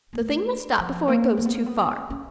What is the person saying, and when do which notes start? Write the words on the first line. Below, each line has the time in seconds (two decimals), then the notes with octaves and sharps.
The thing must stop before it goes too far.'
0.13 A#3
0.20 A3
0.79 F3
1.08 A#3
1.37 A#3
1.45 B3
1.54 A#3
1.66 B3
1.81 C4
1.95 C#4
2.10 C#4